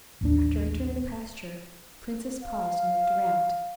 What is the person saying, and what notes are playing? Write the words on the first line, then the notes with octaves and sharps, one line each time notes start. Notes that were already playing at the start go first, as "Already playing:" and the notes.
After entering the pasture, the princess paused and looked around.
A1 D#2 D4
F5